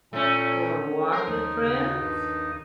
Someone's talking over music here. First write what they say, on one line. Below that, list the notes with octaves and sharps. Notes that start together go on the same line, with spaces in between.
go on a walk with friends,
A#2 A3 C#4
F3 A#4 G5 C6
D#2 D#4
C#3
G2